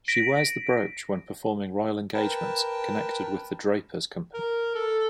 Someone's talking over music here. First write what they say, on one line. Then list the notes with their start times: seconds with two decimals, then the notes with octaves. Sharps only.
She wears the brooch when performing royal engagements connected with the Drapers Company.
0.08 A#6 B6 D7
2.14 A#4 B4 G5 A5
4.34 A#4
4.75 A4